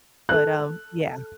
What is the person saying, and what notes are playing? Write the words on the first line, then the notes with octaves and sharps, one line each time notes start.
But, um, yeah.
A4 F#6